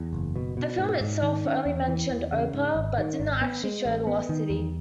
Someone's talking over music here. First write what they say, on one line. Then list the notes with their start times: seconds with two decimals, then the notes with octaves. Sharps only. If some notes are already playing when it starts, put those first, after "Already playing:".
The film itself only mentioned Opar but did not actually show the lost city.
Already playing: E2
0.13 F#1
0.36 B2
0.57 B2
0.79 G#2
1.01 G#2
1.22 D#3
1.45 C#4
1.66 E2
1.88 E3
2.10 E2
2.32 C#3
2.54 G#2
2.75 G#1
2.98 D#3
3.20 G#1
3.41 B3
3.64 G#3
3.86 A1
4.07 B3
4.29 D#3
4.50 E2